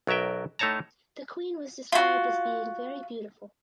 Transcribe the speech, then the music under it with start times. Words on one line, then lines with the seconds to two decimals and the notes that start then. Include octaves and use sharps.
The Queen was described as being "Very beautiful".
0.07 B1 F#3 A#4 E5 G5
0.59 A2 A3 D#4 C#5 A5 A#5
1.92 F4 F#4